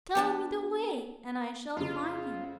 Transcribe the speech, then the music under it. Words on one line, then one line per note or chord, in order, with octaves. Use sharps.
"Tell me the way, and I shall find him!"
B3 D4 A5
F2 C#3 F4